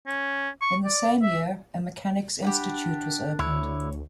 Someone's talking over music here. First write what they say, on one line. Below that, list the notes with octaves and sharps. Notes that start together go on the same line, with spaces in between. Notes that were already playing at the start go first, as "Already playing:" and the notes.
In the same year, a Mechanics' Institute was opened.
C#4
C#6
D5
E5
D4 G4 F#5 B5
D2 D3 E4 C#5